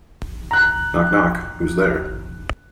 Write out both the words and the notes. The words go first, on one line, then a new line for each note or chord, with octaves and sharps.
Knock knock! Who's there?
A#5 F#6